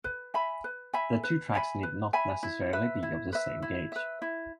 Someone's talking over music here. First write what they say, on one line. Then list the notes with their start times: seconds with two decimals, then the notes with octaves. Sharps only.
The two tracks need not necessarily be of the same gauge.
0.04 B4
0.34 E5 G#5 B5
0.64 B4
0.93 E5 G#5 B5
1.23 B4
1.54 E5 G#5 B5
1.83 B4
2.13 E5 G#5 B5
2.43 E4
2.73 B4 E5
3.03 E4
3.32 B4 E5
3.62 E4
3.92 B4 E5
4.22 E4